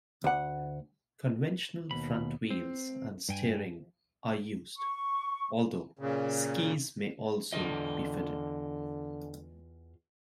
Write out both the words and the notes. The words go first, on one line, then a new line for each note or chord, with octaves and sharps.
Conventional front wheels and steering are used, although skis may also be fitted.
D2 F#5
D#2 B2 B5
C4
G2 G5 G#5
C#6
A#2 C#3
E2 D3 F4 D#5